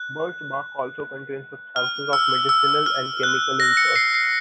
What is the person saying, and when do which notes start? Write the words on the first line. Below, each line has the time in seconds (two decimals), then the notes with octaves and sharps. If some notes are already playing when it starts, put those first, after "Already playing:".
Birch bark also contains substances of medicinal and chemical interest.
Already playing: F#6
1.76 F6
2.13 E6
2.49 E6
2.86 F6
3.23 F#6
3.60 A#6
3.77 C#7
3.96 C7
4.14 C7